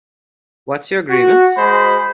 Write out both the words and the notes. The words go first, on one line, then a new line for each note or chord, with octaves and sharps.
What’s your grievance?
F#4
G#3 C5 B5